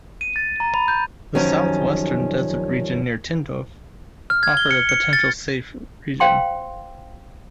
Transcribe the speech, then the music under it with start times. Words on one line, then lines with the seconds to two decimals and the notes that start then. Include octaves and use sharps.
The south-western desert region near Tindouf offered a potential safe region.
0.21 D#7
0.36 A6
0.60 A#5
0.74 B5
0.88 G6
1.35 F#2 D#3 F3 G3 C#4
4.30 F6
4.43 G#6
4.57 G7
4.71 C#7
4.89 C#7
5.13 A6
6.20 C5 F5 G5 C6